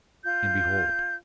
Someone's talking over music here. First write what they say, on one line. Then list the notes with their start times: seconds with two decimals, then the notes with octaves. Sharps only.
And behold!
0.25 F4 G6